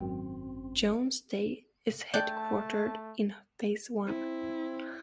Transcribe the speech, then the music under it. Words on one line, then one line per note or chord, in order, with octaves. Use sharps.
Jones Day is headquartered in Phase I.
G#1 F#2 C4
A3 D5 G5 A5 F#6 G6
C4 E4